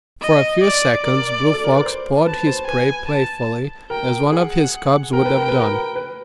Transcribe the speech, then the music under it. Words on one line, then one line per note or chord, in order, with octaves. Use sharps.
For a few seconds Blue Fox pawed his prey playfully, as one of his cubs would have done.
D#5
D5
A#4 D5
A4
A#4
B4
C5
B4 A5
C5
B4 G#5
A5
A#4 G5
G#4 F#5
A#4 G5
B4
A#4
B4
A#4
B4